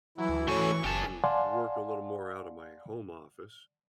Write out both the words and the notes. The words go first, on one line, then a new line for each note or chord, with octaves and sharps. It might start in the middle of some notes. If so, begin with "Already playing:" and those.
I can work a little more out of my home office
E3 F#3 E4
D2
E3 A3 C#4 F#4 A4 C#5 C#6
F#1 G4 G#5 A5
D5 F5 F#5 G#5 A5 C6